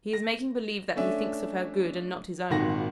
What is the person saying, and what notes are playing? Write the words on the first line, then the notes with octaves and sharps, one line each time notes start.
He is making believe that he thinks of her good and not his own.
A#6
A3 C#4 D4 E5
G#1 A#2 D#3 F#4 F#5 A#6